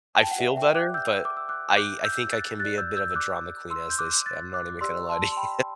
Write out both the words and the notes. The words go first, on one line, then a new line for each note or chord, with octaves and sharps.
I feel better, but I I think I can be a bit of a drama queen as they say. I'm not even gonna lie to you.
A5
G5
F#5
G4 B4 D5 E5
E5 G5
D6 F#6
E6 G6
D6
E6
D6 F#6
G6
D6 F#6
E6 G6
F#6 A6
G4 D5 F#6 A6
E6 G6
E6 G6
E6
D6 F#6
C6 E6
G6
D6 F#6
F#6 A6
D6 F#6
G4 D5 C6 E6
A5 C6
C6
G5 B5